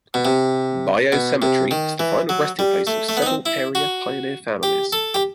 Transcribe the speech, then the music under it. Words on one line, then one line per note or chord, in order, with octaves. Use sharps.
Bayou Cemetery is the final resting place of several area pioneer families.
B2
C3
B2
C3
D#3
E3
F#3
G3
A3
A3
B3
D#4
C4
E4
F#4
G4
A4
G4